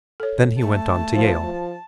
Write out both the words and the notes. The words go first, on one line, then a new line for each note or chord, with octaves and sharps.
Then he went on to Yale.
A4 C#5
A3 A5
F3
F3